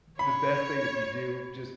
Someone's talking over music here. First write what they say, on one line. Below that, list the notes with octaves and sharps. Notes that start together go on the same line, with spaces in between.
the best thing if you do just
C#5 B5